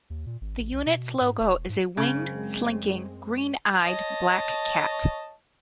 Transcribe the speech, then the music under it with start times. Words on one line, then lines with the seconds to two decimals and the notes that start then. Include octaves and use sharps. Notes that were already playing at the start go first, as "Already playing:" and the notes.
The Unit's logo is a winged, slinking, green-eyed, black cat.
0.10 D#2
0.26 A#2
0.41 G#1
0.60 A1
0.73 C2
0.86 B2
1.21 G#2
1.40 E1
1.69 G#2
1.97 F#2 C#3 G#3 C4
3.85 C#5 D#5 A5